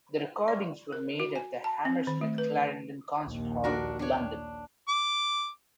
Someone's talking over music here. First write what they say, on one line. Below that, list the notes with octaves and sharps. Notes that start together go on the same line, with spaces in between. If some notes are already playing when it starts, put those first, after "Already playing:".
The recordings were made at the Hammersmith Clarendon concert hall, London.
D5
A#4
F#4
G#5
A5
C4
D#3
A3
B4
A#1 D#2
D4 F#4 A#4
D4 C#5
D6